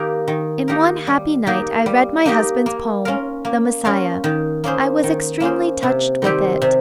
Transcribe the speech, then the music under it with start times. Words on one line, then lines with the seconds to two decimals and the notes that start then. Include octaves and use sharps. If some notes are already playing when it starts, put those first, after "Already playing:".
In one happy night I read my husband's poem, 'The Messiah.' I was extremely touched with it.
Already playing: D#3 A#3 D#4 G4 A#4
0.28 D#3
0.68 A#3 D#4 G4 A#4
1.07 G3
1.47 A#3 D#4 G4
1.86 G3
2.26 A#3 D#4 G4
2.66 A#3
3.05 C#4 F4 A#4 F5
3.45 A#3
3.85 C#4 F4 A#4 F5
4.24 D#3
4.64 A#3 C#4 G#4 C5
5.04 D#3
5.40 A#3 C#4 G#4 C5
5.83 C3
6.22 D#3 G3 C4 G4
6.62 C3